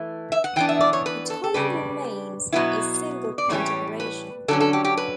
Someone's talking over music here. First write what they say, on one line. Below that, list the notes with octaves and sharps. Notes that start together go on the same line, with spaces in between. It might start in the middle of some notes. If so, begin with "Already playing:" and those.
The tolling remains a single point operation.
Already playing: E3 A3 E4
E5
F#5
E3 B3 D4 G5
E5
D5
C#5
B4
A4
A4
C#3 G3 D4 B4
B2 F#3 B3 E4
D5
A2 E3 G3 C#4 C#5
B4
D3 F#3 C#4 A4
A4
G4
G4
B4